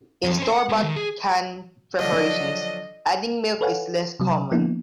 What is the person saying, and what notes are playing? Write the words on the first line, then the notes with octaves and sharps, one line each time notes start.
In store-bought canned preparations, adding milk is less common.
F2
C#4 C5
F#5
G#3 B3
D#3
G#4
D3 F3 F#3 D#5
A4 B4 C#5 F5 F#5 G#5
C3 F#3
F3 A#3 B3 D4 E4